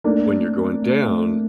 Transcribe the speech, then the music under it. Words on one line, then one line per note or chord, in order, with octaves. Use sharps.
When you're going down,
A3 A#3 D4
C4
C4
A3
A3